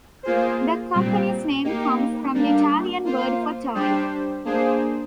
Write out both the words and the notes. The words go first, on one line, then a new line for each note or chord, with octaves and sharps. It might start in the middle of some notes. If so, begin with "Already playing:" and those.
The company's name comes from the Italian word for "toy".
A#3 F4 G#4 C5
A#2 G3 C4
A#3 D#4 G4
G3 A#3 D4
A#3 F4 C5
G3 D4 G4 C5
A#3 D4 G#4 C5